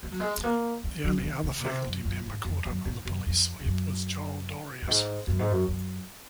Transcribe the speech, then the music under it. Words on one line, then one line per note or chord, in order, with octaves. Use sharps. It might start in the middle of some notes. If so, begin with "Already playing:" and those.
The only other faculty member caught up in the police sweep was Joel Dorius.
G#3
F#3
G#3
G#3
A#3
C#4
F#3
F3
D#3
C#3
A#2
C3
F#2
F#2
G#2
F2
F#2
G#2
F#2
F2
G#2
F#2
F#2
G#2
F#2
G#2
F#2
F#2